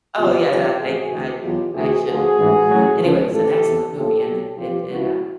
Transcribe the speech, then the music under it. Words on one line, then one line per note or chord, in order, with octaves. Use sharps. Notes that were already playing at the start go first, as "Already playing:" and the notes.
Oh, yeah, yeah, thank you, I I should know that, but, uh, anyway, it was an excellent movie, and it it did, uh,
F#1 E2 B2 F4 G4
B1 A2 E3 F4 G4
A1 A2 F3 F#4 G#4
D2 C3 E3
E2 B2 F#3 F4 G4
D2 C3 E3 F#4 G#4
D2 D3 F3 F#4 G#4
A1 G#2 E3
A1 A2 F#3
C#2 C#3 F3
A1 G2 E3 G4 A4
E2 C3 E3
A#1 A2 F3 G4 A4
C2 B2 F#3
C2 A#2 F3 F4 G4
C#2 C3 F3 E4 F#4